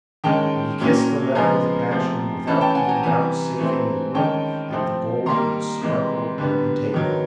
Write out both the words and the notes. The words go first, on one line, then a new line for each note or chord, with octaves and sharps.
And he kissed the letter with passion, without even vouchsafing a look at the gold which sparkled on the table.
D#3 G#3 C#4 G5 A5
A#2 F#3 A#3 C#4
C#3 F3 G#3 B3 G#5 A#5
C3 F3 A3
E3 A3 C#4 A5 B5
G5 A5
F#5 G#5
G#5 A#5
C3 E3 G3 G#5 A#5
E3 A3 C4
D#3 G#3 C#4 G5 A5
C3 F3 A3 C4
D#3 G3 A#3 A#5 C6
C3 E3 G#3
D3 G3 B3
D#3 F#3 B3